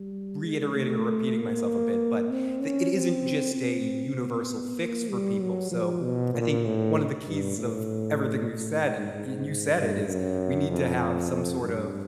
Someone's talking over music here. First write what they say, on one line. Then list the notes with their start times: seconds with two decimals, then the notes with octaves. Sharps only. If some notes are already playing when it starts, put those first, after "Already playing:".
reiterating or repeating myself a bit, but the it isn't just a universal fix for people. So, I think one of the keys of everything we've said, and y you said it, is we need to have some sort of
Already playing: G3
0.44 G#3
0.75 A3
1.37 A#3
2.30 C4
2.61 C#4
2.92 C4
3.55 C4
4.17 B3
4.79 A#3
5.10 G3
5.41 F#3
5.71 F3
6.03 B2
6.34 A#2
6.65 A2
7.27 G2
7.58 A2
8.52 A2
8.83 G#2
9.13 G#2
9.76 G2
10.07 F#2
10.70 F2
11.31 F2
11.62 G2